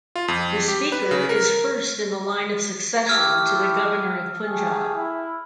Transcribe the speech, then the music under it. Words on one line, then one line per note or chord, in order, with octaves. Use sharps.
The Speaker is first in the line of succession to the Governor of Punjab.
F4
F2
G4
B4
C#3
A#4
A3 E4 G4 E6 F6 G#6
A3 G4 G#4
E4